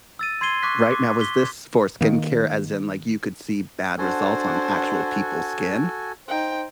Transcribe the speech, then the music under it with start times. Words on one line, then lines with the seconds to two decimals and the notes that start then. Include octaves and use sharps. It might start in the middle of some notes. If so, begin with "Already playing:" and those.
Right now, was this for skincare as in, like, you could see bad results on actual people's skin?
0.19 E6 A6 D#7
0.41 C6 G#6 C7 D#7 G7
0.63 C#6 D6 F#6 B6
0.92 D6
1.21 B6 G7
2.01 D#3 A#3
3.98 D4 F#4 A4 C5 F#5 G#5
6.28 D#4 C5 G5